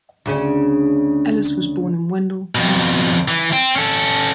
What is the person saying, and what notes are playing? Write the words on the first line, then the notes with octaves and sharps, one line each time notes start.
Ellis was born in Wendell, North Carolina.
D2 C#3 C#4
F2 B2
E3
C4
C#4 A4